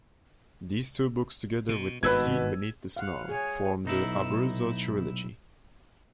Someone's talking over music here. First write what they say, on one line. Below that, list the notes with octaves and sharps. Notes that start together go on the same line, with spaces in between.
These two books together with "The Seed Beneath the Snow" form the "Abruzzo Trilogy".
B2
G#1 G2 B2 D#3 B4 E6 G#6
F5 F#5
G#4 C#5 G#5
B1 D#4 E4